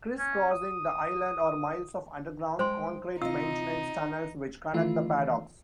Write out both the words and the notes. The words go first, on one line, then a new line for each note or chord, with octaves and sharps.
Criss-crossing the island are miles of underground concrete maintenance tunnels which connect the paddocks.
C#4
D#6
G#3 C5 G5 C6
C3 D#4 F4 D#5 E6
D#3 E3 A3 F4